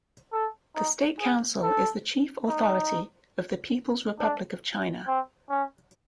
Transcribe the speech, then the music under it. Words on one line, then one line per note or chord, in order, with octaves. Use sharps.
The State Council is the chief authority of the People's Republic of China.
A4
D#4
G#4
A4
D#4
D4
C4
C#4